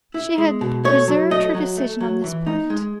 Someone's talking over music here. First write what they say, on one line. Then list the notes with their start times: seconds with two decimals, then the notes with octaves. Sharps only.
She had reserved her decision on this point.
0.14 E4
0.38 G#3
0.61 B2
0.85 A3 C#5
1.08 F#3
1.31 A3 D#5
1.55 F#3
1.77 A3
2.00 F#3
2.24 E3
2.47 D#4
2.70 G#3